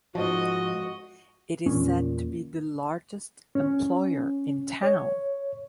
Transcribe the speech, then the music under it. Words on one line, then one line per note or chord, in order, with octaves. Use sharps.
It is said to be the largest employer in town.
G#2 F3 F#4 D#5
E2 A#2 C#4
C#4
C#5